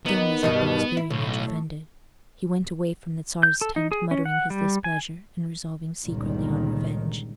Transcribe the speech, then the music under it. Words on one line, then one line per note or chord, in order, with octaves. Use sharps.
Still, Mazeppa was very much offended. He went away from the Czar's tent muttering his displeasure, and resolving secretly on revenge.
D#2 D#3 B3
G2 B2 D#3
E4
B1 A2
G6
A4
D#4
G#4
C#4
F#5
G3
G#5
G1 C#2 A#2 D#3